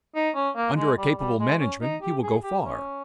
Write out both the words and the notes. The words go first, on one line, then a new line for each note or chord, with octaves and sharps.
Under a capable management he will go far.
D#4
C#4
A#3
G#3
G3
G3
G#3
C#4
D#4
G4
G#4
G4
C#4